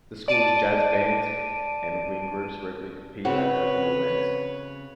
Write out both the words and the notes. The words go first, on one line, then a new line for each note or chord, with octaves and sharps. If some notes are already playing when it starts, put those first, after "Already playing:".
The school's jazz bands and wind groups regularly compete at local events.
D5 A5 D7 D#7
C#3 C4 F#4 B4 C#5